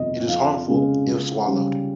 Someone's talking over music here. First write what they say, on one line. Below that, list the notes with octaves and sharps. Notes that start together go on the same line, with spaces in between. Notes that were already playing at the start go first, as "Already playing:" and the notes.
It is harmful if swallowed.
Already playing: G1 F2 C3 D#5
F2 F5
C#3 G#3 C#4
C#2
C#3 G3 C#4